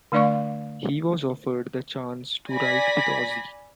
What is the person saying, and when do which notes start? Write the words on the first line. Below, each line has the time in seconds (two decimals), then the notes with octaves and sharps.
He was offered the chance to write with Ozzy.
0.12 D3 A3 D4 D5 F5 C#6
2.50 D5 G#5 B5 A#6 B6